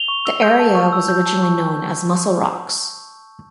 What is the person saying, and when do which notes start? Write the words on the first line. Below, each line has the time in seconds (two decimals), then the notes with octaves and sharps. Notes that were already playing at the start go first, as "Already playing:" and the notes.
The area was originally known as Mussel Rocks.
Already playing: F7 G7
0.08 C#6
0.26 E6
0.43 G6
0.60 A5
0.75 C#6
0.93 E6
1.08 G6
1.26 A5
1.43 C#6
1.60 E6
1.76 G6
1.92 A5
2.10 C#6